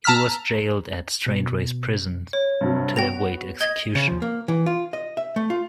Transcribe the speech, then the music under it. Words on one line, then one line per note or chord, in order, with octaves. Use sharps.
He was jailed at Strangeways Prison to await execution.
A5 A#5 E6 F6 B6
B2
C#5
G2 C3 F#3
B3 F#4 G5 A#6 F7
D#5 G#6 G7
C#3
F3
A#3
E3
F4
D#5
E5
A3
F4